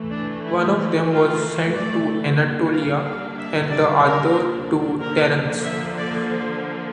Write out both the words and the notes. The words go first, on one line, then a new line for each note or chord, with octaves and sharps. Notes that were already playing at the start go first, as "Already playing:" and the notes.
One of them was sent to Anatolia and the other to Thrace.
Already playing: E3 A3
D4
E4
F4
D5
G3 A#3 D4
F5
F5
E5
D5
A#4
D3 F3 A#3 A#4
E5
D5
C5